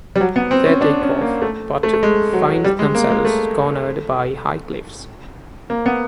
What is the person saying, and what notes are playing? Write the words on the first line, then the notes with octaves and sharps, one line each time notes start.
They take off, but find themselves cornered by high cliffs.
G3
F#3
B3
C4
C#4
D4
C#4
A#3
A3
A3
A3
G#3
F#3
G3
G#3
A#3
G#3
A3
A#3
B3